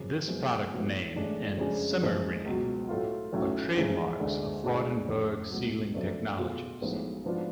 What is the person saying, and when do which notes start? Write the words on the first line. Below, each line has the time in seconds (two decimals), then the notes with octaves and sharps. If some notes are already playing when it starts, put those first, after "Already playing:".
This product name and "Simmer-Ring" are trademarks of Freudenberg Sealing Technologies.
Already playing: F#2 C#3 F3
0.28 F#2 F3 G#3 B3
0.72 A2 F3 B3 F#4
1.15 A1 A2 G#3 D4
1.58 F2 C#3 G#3 D4 G#4
2.02 F#1 F2 F3 G#3
2.45 C#2 B2 F#3
2.89 A2 F#3 A3 F4
3.33 B1 A2 F#3 C#4
3.76 A1 G#2 F3 G#3
4.20 D2 D3 G#3
4.63 A2 G#3 D4 F#4
5.07 F1 F2 C#3
5.50 C#2 B2 F#3
5.94 F#2 F3 A3 D4
6.38 B2 A3 F4 G#4
6.81 B1 A2 F3 G#3 B3
7.25 G#2 F3 B3 D4 F4